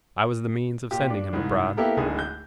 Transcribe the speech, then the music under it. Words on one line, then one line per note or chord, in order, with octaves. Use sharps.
I was the means of sending him abroad.
A#2 G4
D4
C2 G#2
A#3 B3 E4 G4 A4 A#4
D1 G#1 D3 G#4 G#5
G6